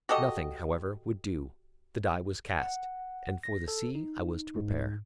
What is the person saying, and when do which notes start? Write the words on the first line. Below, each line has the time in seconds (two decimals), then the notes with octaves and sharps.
Nothing, however, would do; the die was cast, and for the sea I was to prepare.
0.09 F#4 G4 A4 D#5
2.59 F#5
3.43 A#6
3.68 A4
3.95 D#4
4.56 G#2